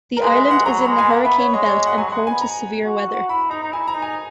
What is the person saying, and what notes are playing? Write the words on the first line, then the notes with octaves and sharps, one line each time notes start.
The island is in the hurricane belt and prone to severe weather.
A#4
G#3 B4
E5
G#3
F#5
F#3 A#5
B5
G#3
G#5
A#3 F#5
B3 E5
B3 C#5
G#3 D#5
C#5
D#5
F#5
F#3 G#5
G#3 F#5
B3 G#5
A#5
F#4
F#4
E4 B5
D#4 A#5
D#4
E4 G#5
A#5
D#4
G#5